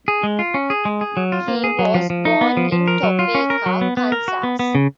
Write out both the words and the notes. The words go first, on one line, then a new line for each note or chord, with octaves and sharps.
He was born in Topeka, Kansas.
G#4
G#3
F4
C#4
G#4
G#3
G#4
F#3
F4
A#3
G#4
F#3
F3
F3
D#4
B3
F3
F3
A#4
F#3
F4
C#4
A#4
F#3
B3
B3
A#4
F#4
B3
B3
C#3